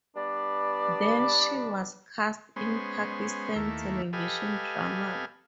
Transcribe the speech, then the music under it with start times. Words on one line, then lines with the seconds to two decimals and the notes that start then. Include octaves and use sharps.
Then she was cast in Pakistan television dramas.
0.17 G3 B3 D4 B4 D5
2.56 G#3 B3 C#4 C5
3.56 D#2 A3 A#3 E4
4.13 G4 A4 B4 D#5 F5 G#5